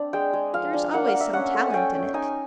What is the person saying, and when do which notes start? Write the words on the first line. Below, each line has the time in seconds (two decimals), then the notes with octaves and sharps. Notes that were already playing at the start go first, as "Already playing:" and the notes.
There is always some talent in it.
Already playing: C4 D4
0.13 G#3 G5
0.33 G#3
0.53 F3 F5
0.73 D4
0.93 A#3 F#5
1.07 F5
1.14 A#3
1.20 E5
1.33 C#4 F#5
1.54 A3
1.70 C#4 G5 G#5
1.94 C#4
2.14 D#4 G#5